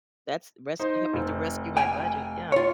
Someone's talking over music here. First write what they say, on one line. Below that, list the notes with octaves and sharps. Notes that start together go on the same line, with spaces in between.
That's res helping to rescue my budget, yeah.
D#4 C5
F1
G5 G#5
F4 C#5